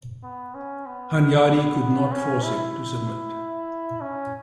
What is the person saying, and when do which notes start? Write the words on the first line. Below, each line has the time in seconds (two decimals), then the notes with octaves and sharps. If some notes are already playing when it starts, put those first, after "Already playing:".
Hunyadi could not force him to submit.
0.23 B3
0.55 C#4
0.86 B3
2.12 C#4
2.43 E4
4.01 C#4